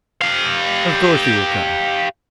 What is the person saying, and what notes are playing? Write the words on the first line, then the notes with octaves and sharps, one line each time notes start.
"Of course he will come."
G4 F5